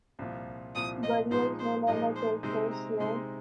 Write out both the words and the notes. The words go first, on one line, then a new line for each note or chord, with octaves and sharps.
Burials no longer take place here.
C2 A#2 F3 C4 F4
C2 A#2 F3 C4 F4 D#6
D#5
A#2 F3 G#3 D#4 C5
C5
A#2 F3 G#3 D#4 D#5
C5
C3 G#3 C4 D#4 C5
A#5
C3 G#3 C4 D#4 C6